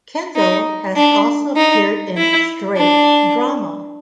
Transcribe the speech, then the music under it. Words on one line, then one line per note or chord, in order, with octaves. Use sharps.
Kendall has also appeared in 'straight' drama.
D#4
D4
D#4
E4
D4